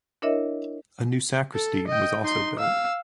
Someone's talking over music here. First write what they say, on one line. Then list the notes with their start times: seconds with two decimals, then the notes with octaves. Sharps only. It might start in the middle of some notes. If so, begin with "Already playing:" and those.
A new sacristy was also built.
0.22 D4 E4 A#4 C#5 D#5 E5
1.55 A4
1.88 D#5 G5
2.23 D#4 C6
2.59 F5 E6